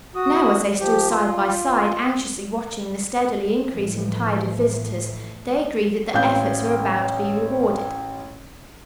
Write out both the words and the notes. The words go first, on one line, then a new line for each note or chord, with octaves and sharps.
Now, as they stood side by side anxiously watching the steadily increasing tide of visitors, they agreed that their efforts were about to be rewarded.
F#4 D#6
F3 G4
F4
A2 E3 F3 A3
A1 F5 G6